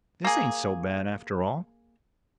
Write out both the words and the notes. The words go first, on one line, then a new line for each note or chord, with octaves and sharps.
This ain't so bad, after all.
A#3 G#4